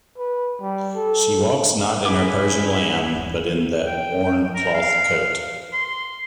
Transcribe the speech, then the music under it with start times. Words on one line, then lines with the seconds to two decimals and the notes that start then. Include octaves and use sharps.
She walks not in her Persian lamb, but in that worn cloth coat.
0.18 B4
0.61 G3
0.96 A4
2.05 C#4 E4 G#4 D6
3.86 G5
4.55 A#4
4.74 F5
5.73 C6